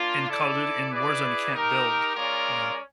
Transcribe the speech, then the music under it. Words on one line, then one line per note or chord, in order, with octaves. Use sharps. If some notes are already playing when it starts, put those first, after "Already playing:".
in Call of Duty in Warzone you can't build, you know?
Already playing: A#3 D4 F4
E4 A4 D5
E4 G#4 B4 D5
D#4 G4 A#4
G#3 C#4 F4 A#4 D5